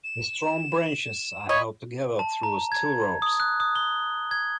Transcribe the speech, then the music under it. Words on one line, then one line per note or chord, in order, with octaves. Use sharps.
The strong branches are held together through steel ropes.
E7
C#5 D#5 B5
A5
A#5
G#6
D#6
F#6
D#6
G7
G#6